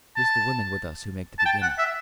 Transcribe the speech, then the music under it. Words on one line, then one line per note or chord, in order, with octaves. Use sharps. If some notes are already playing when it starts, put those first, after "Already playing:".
It is the women with us who make the beginning.
A5
A5
G5
F#5
E5